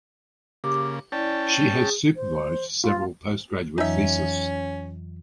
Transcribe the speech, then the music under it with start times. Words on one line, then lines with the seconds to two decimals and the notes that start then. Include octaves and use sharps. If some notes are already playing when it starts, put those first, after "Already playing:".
She has supervised several post graduate theses.
0.64 C#3 A#3 G4 D6
1.12 C#4 E4 D5 G5 A5
1.59 G#3
1.73 G#4
2.16 C5
2.84 F4 F5
3.78 F2 E3 F#3 C#4 D#4 E5